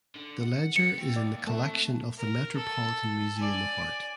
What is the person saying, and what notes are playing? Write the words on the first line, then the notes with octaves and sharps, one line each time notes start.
The ledger is in the collection of the Metropolitan Museum of Art.
D3
F#5
B3 C#7
A#3 G5
D5
A3 C4 A5
A#4
A4
D5 G#5